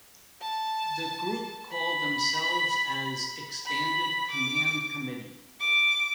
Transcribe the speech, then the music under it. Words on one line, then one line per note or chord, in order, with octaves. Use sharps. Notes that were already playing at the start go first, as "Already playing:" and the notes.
The group called themselves as ""Expanded Command Committee"".
A5
B5
B5
D6
D6